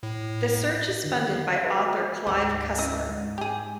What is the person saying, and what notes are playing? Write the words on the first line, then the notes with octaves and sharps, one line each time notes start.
The search is funded by author Clive Cussler.
A2
F2 D3 D#3
F#4 G#4 B4 D#5 E5
D2 G#2 G4 C5 F#5
C#4 E4 D#5
G#2
G4 G#4